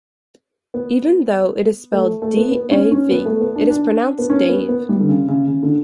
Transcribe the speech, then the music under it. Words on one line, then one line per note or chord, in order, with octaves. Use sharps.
Even though it is spelled D-A-V, it is pronounced "Dave".
B3
A3
A3
B3
B3
C#4
C#4
B3
A3
B3
D4
D4
B3
C#4
B3
B3
G3
D3
C#3
C#3
C#3
D3